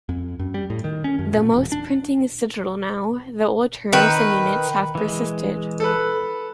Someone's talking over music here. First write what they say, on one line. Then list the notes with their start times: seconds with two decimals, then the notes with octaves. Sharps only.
Though most printing is digital now, the old terms and units have persisted.
0.09 F2
0.39 F#2
0.54 G3
0.70 A2
0.84 D#3
1.04 C#4
1.19 F#2
1.35 A#2
1.54 E1
1.72 D4
3.93 D#3 B4
4.95 E3 G#3
5.80 A4 B4